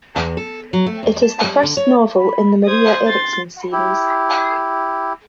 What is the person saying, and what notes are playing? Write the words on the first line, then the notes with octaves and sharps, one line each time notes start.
It is the first novel in the Maria Eriksson series.
E2
A4
F#3
A3
E2
A5
G3
D3
C#5
B5
C5 D#6 G#6
C6 A6
E4 G4